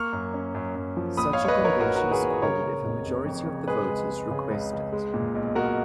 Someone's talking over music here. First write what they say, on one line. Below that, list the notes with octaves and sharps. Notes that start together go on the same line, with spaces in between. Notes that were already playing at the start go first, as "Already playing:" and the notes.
Such a convention is called if a majority of the voters request it.
Already playing: A#3 C#6 F6
F#2
C#4
F#2
F#2
F3
A#1 B5 D#6
C#5 F5
A#1
C#5
B4 D#5
A#1
A#4 C#5
A#1 F#4 A#4
D#3 F#4 A#4
G#4 B4
A#1
C#3 A#4 C#5
C#3
F1
F1
F2
C#3
G#3 G#4 B4
C#2
G#3
C#3
C#2
C#2
G#3
A#2
B1
B1 F#4 A#4